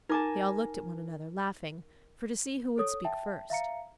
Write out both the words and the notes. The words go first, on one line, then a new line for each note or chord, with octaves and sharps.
They all looked at one another, laughing, for to see who would speak first.
D#4 A#4 G#5 A5 D6
A4 C#5 D#6
E5 G5 A5
E5 F5 A#5 C#7